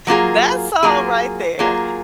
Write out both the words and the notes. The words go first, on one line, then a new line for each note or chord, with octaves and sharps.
That song right there
F#3 A#3 F4 G#4
F#3 A#3 F4 G#4
F#3 A#3 F4 G#4